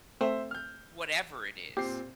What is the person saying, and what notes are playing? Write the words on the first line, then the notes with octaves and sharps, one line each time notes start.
whatever it is.
A3 C4 C5 E5
F6 G6
A#2 C4 G4 C7